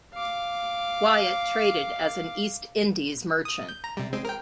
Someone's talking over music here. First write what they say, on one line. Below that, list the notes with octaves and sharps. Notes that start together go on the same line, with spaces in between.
Wyatt traded as an East Indies merchant.
F5 D6
D#6
G6
A#5
C3 G3
G#3 C4
A#4 G5